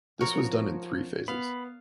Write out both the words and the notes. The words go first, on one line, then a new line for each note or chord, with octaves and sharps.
This was done in three phases.
F3 F#4 A#4 C#5
B3 F5 B5